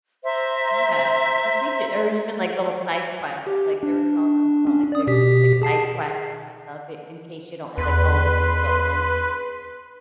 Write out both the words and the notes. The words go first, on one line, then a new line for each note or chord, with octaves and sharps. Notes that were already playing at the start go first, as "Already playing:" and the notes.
Yeah, 'cause we do or even, like, little side quests, like, they were telling us about, like, there could be, like, side quests and stuff in in case you don't have, like, all the people at once.
C5 E5 A#5
G4
D4
C#4 D4
D5 D#6
B2 G4 B6
G#4 A5 C7
E2 B4 C6